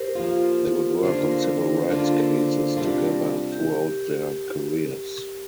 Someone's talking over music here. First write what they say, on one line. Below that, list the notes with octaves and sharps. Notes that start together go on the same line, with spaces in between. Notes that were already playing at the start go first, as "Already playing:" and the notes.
They would work on civil rights cases together throughout their careers.
Already playing: G4 A#4 C5
F3 A#3 F4
D3 A#3 D4 F4 C5
A#4
A#4
D3 A#3 D4 F4
C5
C5
C3 G3 D4 F4 A#4
A#4
A#4
G4